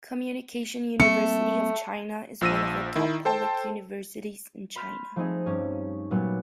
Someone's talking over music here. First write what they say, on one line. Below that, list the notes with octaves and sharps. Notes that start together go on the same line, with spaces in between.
Communication University of China is one of the top public universities in China.
G3 A3 A#3 C4 C#7
A#1 F3 E6 A#6 D#7
D#3 E4
A4 C5 G5 A5
B5 C6 F6 G6 A6 B6
F3 A3 C4 D#4 G#4 D#5
G2 C#4 G4
A#2 F#3 G3 A3 B3